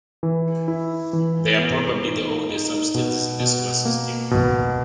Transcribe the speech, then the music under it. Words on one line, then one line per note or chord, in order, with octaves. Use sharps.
They are probably the oldest substances in the Solar System.
E3
E4
E3
B3
D#4
D#4
B2
B2
A#3
B2